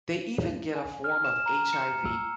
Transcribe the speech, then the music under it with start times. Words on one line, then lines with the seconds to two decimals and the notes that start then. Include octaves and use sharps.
They even get a form of HIV
0.75 G#5
1.04 F6
1.25 E7
1.46 A#5
1.73 C#7
2.05 E6